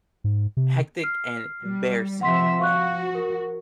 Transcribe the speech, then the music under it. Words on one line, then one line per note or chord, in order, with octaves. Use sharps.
hectic and embarrassing in a way.
G#2
C3
F6 C7
G3
C3 F3 E5 F#5 C6 B6
F3 F#4 F5 C#6 F#6
A#4